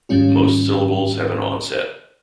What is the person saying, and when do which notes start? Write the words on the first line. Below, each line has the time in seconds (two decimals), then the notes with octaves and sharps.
Most syllables have an onset.
0.09 G#2 D#3 G3 C#4 F4